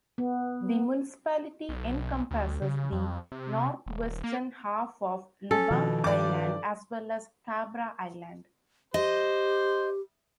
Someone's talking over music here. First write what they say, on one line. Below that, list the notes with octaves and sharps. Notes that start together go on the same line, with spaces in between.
The municipality encompasses the north-western half of Lubang Island, as well as Cabra Island.
B3
B1
D2
C#3
F2
C3
D#1
A#3
C#4 A4
B2 D#3 F3
G2 D5 D6
G4 C5 D#5